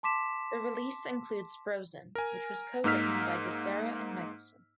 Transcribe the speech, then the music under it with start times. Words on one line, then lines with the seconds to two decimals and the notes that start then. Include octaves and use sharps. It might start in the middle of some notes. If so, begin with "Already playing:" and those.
The release includes "Frozen" which was co-written by Gissara and Michaelson.
0.03 A5 C6 D6 B6 E7
2.15 A#4 G#5
2.84 G#2 A#3 D#4 E6 F6 B6